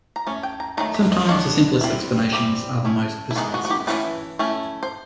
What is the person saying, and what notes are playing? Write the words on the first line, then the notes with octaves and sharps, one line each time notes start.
Sometimes the simplest explanations are most persuasive.
A#5
A3 C#4
G5
A#5
D#3 F#3 A3 A#5
E5
D#5
G#3 B3 D4 C#5
G3 C4 E4
E3 G3 C4 G4
A3 C#4 E4
E4
D#3 G#3 B3 D#4 F4
F#4
F#4
G4
E3 A3 C#4 E4 B4
A3 C#4 E4
C5